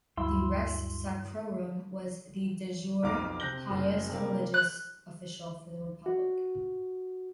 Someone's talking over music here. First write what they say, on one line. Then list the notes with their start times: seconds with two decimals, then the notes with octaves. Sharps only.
The Rex Sacrorum was the "de jure" highest religious official for the Republic.
0.17 D2 G2 F#3 E4 C6 E6
3.03 B1 F2 F5 D6 F6 A#6
3.40 C3 F#6 G6 A#6 G7
3.70 F#1
4.10 C3 G3 A#3
4.54 F#6
6.06 F#4